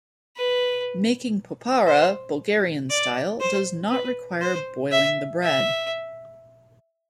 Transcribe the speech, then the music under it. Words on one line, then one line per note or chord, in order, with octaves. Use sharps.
Making "popara" Bulgarian style does not require boiling the bread.
B4
C5
D5
C5
B4
C5
E5
E5